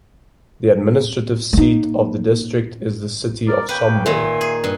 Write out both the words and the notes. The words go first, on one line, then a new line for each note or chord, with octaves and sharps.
The administrative seat of the district is the city of Sombor.
A#3 D#4
D#4 A#4 D5
C#3 A#3 B4 G5
A#2 D#3 E5 G#5 C6
G#4
G2